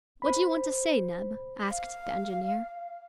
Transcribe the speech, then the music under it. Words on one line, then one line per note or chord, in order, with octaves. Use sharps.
"What do you want to say, Neb?" asked the engineer.
C5 B5
F5